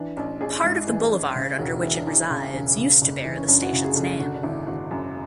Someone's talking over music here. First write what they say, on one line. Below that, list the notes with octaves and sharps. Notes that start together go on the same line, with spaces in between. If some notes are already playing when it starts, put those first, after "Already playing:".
Part of the boulevard under which it resides used to bear the station's name.
Already playing: E3 D4
A1 D4
A1 G#4
G#2 E4
E3
G#4
A1
C#3
E1 F#4
E3 E4
D4
E2 E4
C#3
E1
C#3
F#1
E3
C#4
F#2 D4
F#4
E4
C#3
G#4
F#1 A4
G#4
D3 F#4
D4
G#1 E4
G#1 F#4
F#2